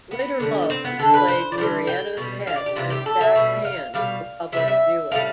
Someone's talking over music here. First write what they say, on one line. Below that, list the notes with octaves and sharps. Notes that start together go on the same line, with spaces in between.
Later Love displayed Murrieta's head and Jack's hand for public viewing.
B3
D3 G3
C4
B3
D3 A3 A4
B4
C5
D5
D3 G3 C5
G5
B2 G3
F5
D5
G4
C3 E3 G3 F4
G4
A4
E5
B2 G3
F5
B2 G3 F5
C3 G3 E5
E5
A2 G3 F5